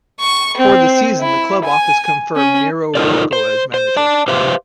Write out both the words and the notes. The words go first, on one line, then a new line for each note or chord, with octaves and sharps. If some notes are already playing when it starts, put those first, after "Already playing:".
For the season the club office confirmed Nereo Rocco as manager.
C#6
C4
E4
G#5
C#4
D#4 F4 A4 A#4 C5 D5
C5
C5
D5 A5
G4 B4 C5 E5 F5